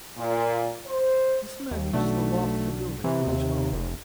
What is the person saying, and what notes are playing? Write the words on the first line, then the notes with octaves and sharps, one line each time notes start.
This man uses the loft of the building for his home.
A#2
C5
D#2
B1 A3 D4 F#4
C3 E3
D#2
F1